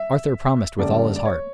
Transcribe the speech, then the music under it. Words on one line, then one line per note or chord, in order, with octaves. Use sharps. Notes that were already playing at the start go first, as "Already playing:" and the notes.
Arthur promised with all his heart.
Already playing: E5
F#1 F#2 D3 G3 D5
D5
C#5